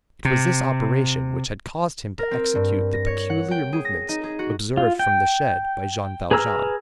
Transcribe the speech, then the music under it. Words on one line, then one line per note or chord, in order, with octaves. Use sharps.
It was this operation which had caused him to execute the peculiar movements observed from the shed by Jean Valjean.
C3
A#4
C4
G2
A#6
C#5
F#5
G5
G#4
A#6
D#4
G#4
F#4
F4
G5
G#4 B4 A#5 E6 F6